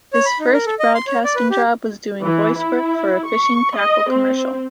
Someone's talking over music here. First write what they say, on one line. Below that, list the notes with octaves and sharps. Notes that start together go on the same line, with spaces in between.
His first broadcasting job was doing voice work for a fishing tackle commercial.
C#5
B5
D#4
A#4
A4
D#5
C6
C#5
D5
B4
G4
E3
E4
C#6
D#5
C4